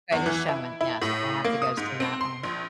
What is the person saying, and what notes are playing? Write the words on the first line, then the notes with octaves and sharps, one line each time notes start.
The Greatest Showman, yes, I have to go see that one.
E2
E3
E4
E4
A2
A#3
D#6
G#2
C4
C6
A#1